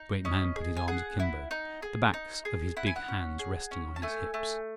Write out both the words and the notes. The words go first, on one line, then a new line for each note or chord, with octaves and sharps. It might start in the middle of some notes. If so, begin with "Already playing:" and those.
The great man put his arms akimbo, the backs of his big hands resting on his hips.
Already playing: D#4
C#4 D#5
G#4
G#5
G#4 F#5
E4
D#4
G#4
D#4
G#4
E4 F#5
G#5
F#5
C#4
G#4
C#4
A5
A3 G#5
A3